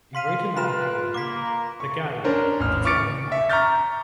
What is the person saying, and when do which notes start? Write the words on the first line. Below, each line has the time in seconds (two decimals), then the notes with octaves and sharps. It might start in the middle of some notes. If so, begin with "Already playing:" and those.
He wrote an article in "The Guardian" detailing why.
0.15 F5 C6 B6 D#7
0.57 F4 A#4 B4 B5 E7
1.14 A#3 D6 B6
1.80 C#6
2.24 C#4 D4 A#4 C5
2.60 A1 F6
2.85 C#6 D6 F6 A6 C#7 D7
3.32 E5
3.50 A#5 C#6 D6 F6 G6 A6